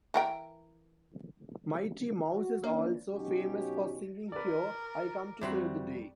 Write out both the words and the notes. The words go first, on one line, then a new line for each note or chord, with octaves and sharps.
Mighty Mouse is also famous for singing Here I come to save the day!
E3 A#4 G5
F#4
A#3 C#4 D4
B2 F#3 C#4 D#4 F4 G4
A#4 B4 D5
F2 E3 G3 C4 F#4